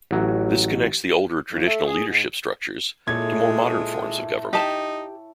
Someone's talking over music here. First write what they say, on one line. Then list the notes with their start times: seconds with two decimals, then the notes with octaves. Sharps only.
This connects the older traditional leadership structures to more modern forms of government.
0.11 A1 F#3
1.52 F2
1.65 A3
1.87 G#4
2.07 G#2
3.07 A#2 G#3 E4 A4 C#5 G#6
4.53 D#4 G4 A5